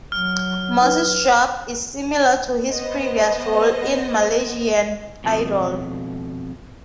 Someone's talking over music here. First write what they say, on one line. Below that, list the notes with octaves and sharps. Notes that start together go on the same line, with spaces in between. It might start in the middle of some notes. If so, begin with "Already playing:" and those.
Moss's job is similar to his previous role in "Malaysian Idol".
F#3 F6
D#4 B4
B3 C5 D#5
F2 B2